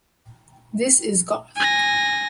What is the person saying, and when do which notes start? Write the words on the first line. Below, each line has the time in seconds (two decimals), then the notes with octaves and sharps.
This Is Goth!
1.56 G#5 A#6